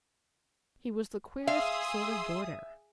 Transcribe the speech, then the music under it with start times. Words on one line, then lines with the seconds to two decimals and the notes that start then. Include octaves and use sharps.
He was the queerest sort of boarder!
1.47 G#4 E5 F5 C6 D#6 E6